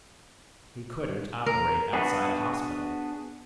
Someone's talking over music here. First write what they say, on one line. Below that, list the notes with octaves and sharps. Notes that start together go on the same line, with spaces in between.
He couldn't operate outside a hospital.
A#4
B3 D4 F#4 G#4 B4